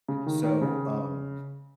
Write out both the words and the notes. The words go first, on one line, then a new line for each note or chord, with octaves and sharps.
So, um,
C#3
D#3
D#3
C#3